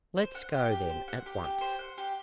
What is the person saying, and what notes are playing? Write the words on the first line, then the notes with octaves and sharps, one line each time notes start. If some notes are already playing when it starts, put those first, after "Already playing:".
"Let's go then, at once."
C5
F#5
G4
G4
C5
F#5
G4
G4
C5
F#5
G4